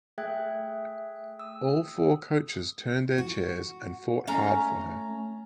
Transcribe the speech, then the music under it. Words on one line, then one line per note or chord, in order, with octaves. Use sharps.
All four coaches turned their chairs and fought hard for her.
A3 G#4 E5 G5 F#6 G#6
D#6 E6
F#4
A3 C#4 A#5